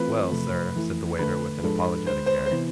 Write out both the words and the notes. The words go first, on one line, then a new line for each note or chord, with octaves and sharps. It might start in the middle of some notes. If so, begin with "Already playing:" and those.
'Well, sir,' said the waiter, with an apologetic air.
Already playing: E3 A3 C4 F4 B4
E2 C3 F3 A3
F2 E3 A3 E4
F2 D3 A3 B4
G#2 F3 G#3 D4 A4
D2 D3 G#3 C5
C5
C5
C3 E3 B3 E4